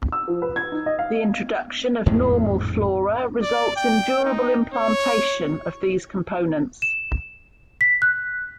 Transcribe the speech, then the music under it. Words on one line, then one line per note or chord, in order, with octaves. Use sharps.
The introduction of normal flora results in durable implantation of these components.
E6
F3
B4
G#6
D#4
D#5
F5
G#1 F2 A2 G#3
D5
G5
D#4
C#5
E7
B6
F#6